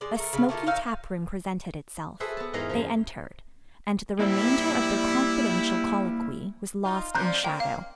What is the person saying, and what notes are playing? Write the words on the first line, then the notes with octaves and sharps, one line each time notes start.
A smoky tap-room presented itself; they entered, and the remainder of their confidential colloquy was lost in shadow.
G#3 D5
A3 A#4
C#3 F5
A3 A#3 E4 F4
D#4 C#5 E5 F5
F#4 G#4 A4 B4 C5 E5
B3 A5
E2 G#2 E3 A#4 D#5 F5
F#2 E3 F3
G3 A#3 E4 C5
D#4 F4
F3 C4 D4 A#5 F#6 G6
A#3 G5
F5